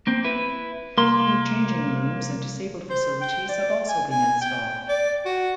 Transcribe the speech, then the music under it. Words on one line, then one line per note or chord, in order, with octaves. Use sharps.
New changing rooms and disabled facilities have also been installed.
A#3 C4
E4 B4
C2 A#3 C6
C5
G5
D5
G#5
G#5
G5
D5
F#4